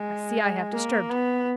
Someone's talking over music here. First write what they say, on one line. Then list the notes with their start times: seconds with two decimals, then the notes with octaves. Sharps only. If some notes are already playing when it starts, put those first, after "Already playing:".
I see I have disturbed you.
Already playing: G#3
0.73 A#3
1.09 B3